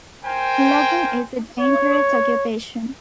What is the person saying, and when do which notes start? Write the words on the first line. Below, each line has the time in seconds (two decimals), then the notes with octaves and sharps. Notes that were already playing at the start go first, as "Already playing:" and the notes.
Logging is a dangerous occupation.
0.25 A#4 C5 G5 G#5
1.60 C#5